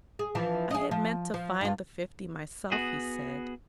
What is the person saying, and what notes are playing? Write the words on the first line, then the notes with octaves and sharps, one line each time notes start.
'I had meant to find the fifty myself,' he said.
G#4
E3 F3 D4
G#4 D#5
F3
F3
G2 F4
B3 F#4 G#4